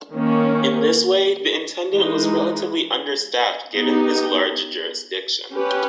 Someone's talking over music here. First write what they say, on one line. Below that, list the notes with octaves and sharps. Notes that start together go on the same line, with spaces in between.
In this way, the Intendant was relatively understaffed given his large jurisdiction.
D#3 A#3 C#4
E3 G#3 D#4
B3 D#4 G4
C#4 G4 B4